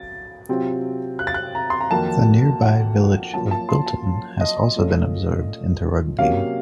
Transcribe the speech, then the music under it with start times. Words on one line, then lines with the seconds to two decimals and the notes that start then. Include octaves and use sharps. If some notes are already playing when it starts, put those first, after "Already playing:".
The nearby village of Bilton has also been absorbed into Rugby.
Already playing: F#3 A6
0.49 C3 F#3 C4 F4
1.19 F#6
1.27 A6
1.34 F#6
1.55 A#5
1.70 C6
1.81 A#5
1.91 F2 D#3 F#3 A#3 A5
2.62 F#5
3.34 F#2 F3 A#3 F4 A5
3.51 A5
3.69 C6
3.86 A5
4.41 D#5
4.76 A#2 A3 C#4 F4
6.19 C3 F#3 A#3 C#4 F5